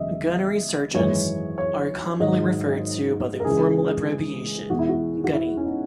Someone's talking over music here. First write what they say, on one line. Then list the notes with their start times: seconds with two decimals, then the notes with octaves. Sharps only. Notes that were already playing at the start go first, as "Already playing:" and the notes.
Gunnery sergeants are commonly referred to by the informal abbreviation "gunny".
Already playing: E1 E2 C#3 F#3 D#5 E5
0.94 G#1 F#2 E3 G#3 C#5
1.58 C#5
2.20 G#1 G#2 D#3 F#3 D#5
3.40 A#4
3.44 C#2 C#3 E3 G#4
4.70 E2 B2 G#3 F#4
4.79 E4
4.89 F#4
5.24 F#4
5.33 E4
5.57 C#4
5.64 D#4